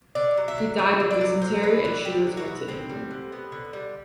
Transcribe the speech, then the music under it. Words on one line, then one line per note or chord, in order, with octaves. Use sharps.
He died of dysentery and she returned to England.
D3 D5
F#3
E5
D3
B3 E5
D3
D5
F#3
D3 C5
B3 B4
D3 B4
F#3 G4
D3
F#4
B3
D3 C4
G3
D3
B3
D3
G3